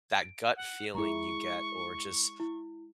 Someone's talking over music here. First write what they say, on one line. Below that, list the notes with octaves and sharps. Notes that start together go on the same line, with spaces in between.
that gut feeling you get or just
D7
F#5
G#3 E4 G#4 A#5 C#6
E4